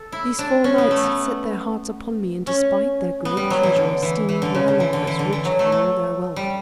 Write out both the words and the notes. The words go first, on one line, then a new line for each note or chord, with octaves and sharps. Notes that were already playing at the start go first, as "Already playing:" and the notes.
These four knights had set their hearts upon me, and despite their great treasure, esteemed my love as richer than all their wealth.
Already playing: A4
E4
D4
C#4
B3
A3
B3
C#4
B3
G3
F#3
E3
D3
E3
E3
D3
C#3
D3
E3
D3
E3
D3
E3
F#3
A3
A3
G3